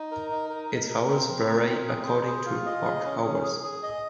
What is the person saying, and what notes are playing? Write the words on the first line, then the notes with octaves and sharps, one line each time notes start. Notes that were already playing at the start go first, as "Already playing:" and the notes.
Its hours vary according to park hours.
Already playing: D#4
A#4
D#4
A#4
A#4
A#4
C4
C4
A#4
C4
G#4
C5
G#4
F4
D#5
G#4
C#4
C#4
G#4
G#4
D#5